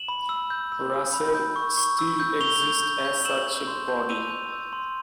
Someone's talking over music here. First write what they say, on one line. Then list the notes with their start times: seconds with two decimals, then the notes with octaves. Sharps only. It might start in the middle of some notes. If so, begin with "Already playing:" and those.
Russell still exists as such a body.
Already playing: E7 F#7
0.08 B5
0.29 E6
0.50 G6
0.72 E6
0.94 E6
1.14 B5
1.35 G6
1.56 C#6
1.78 C#6
1.99 E6
2.20 G6
2.40 C#6 F7 G7
2.62 G6
2.83 G6
3.05 G6
3.25 E6 E7 F#7
3.47 G6
3.67 C6
3.88 G6
4.09 E6 D#7 F7
4.31 G6
4.52 E6
4.73 C6